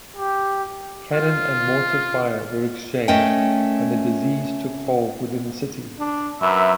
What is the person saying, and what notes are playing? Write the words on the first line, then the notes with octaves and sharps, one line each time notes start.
Cannon and mortar fire were exchanged, and disease took hold within the city.
G4
F4
A3 C#4 A#4 D#5 G5
D4
F#2 A#4 B4 E5